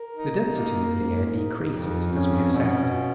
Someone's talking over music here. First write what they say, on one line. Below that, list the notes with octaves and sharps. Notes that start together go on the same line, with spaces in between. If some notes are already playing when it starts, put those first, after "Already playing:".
The density of the air decreases as we ascend.
Already playing: A#4
D#4
A#3
G#2
D#4
F2
C#4
B2
F4